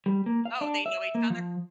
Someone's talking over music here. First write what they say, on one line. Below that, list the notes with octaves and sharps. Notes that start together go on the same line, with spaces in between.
Oh, they know each other?
G3
A#3
F5
D4
E5
A#3
F3